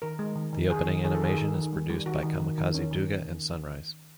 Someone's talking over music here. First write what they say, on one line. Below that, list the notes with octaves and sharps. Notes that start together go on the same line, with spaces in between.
The opening animation is produced by Kamikaze Douga and Sunrise.
D#3 A#4
G#3
D#3
D#3
D#3 G#4
D#3
D#3 G#4
A4
D#3 G#4
D#3
D#3
G3
G3
D#3 F#4
D#3
D#3
D#3
C#4
D#3